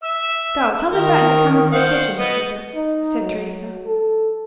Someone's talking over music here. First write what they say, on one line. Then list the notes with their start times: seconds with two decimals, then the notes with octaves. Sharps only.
"Go, tell the Breton to come into the kitchen, Lisita," said Teresa.
0.04 E5 E6
0.92 D#3 A#4
1.73 C5 F5 F#5
2.19 B3 B4 D#5
2.75 D#4
3.21 F#3
3.86 A4